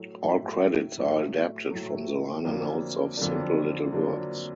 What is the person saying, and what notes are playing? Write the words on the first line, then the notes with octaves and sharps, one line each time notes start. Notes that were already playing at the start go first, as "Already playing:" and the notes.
All credits are adapted from the liner notes of "Simple Little Words".
Already playing: A2 F#3 A3
A2 F#3 A3
A2 F#3 A3
A2 F#3 A3
F2 D3 F#3 A#3 D4
F2 D3 F#3 A#3 D4
F2 D3 F#3 A#3 D4